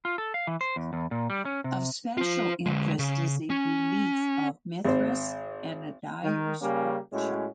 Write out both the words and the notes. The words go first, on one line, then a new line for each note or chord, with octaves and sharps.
Of special interest is a relief of Mithras and a dyer's workshop.
F4
A4
F5
E3
C5
E2
E2
A#2
G3
C#4
C3
F4 C5
D3 G#3
C#3
C#4
G#1 C5
D#3
C#3 G3 A#3 C#4
A2 G#3 C#4 F#4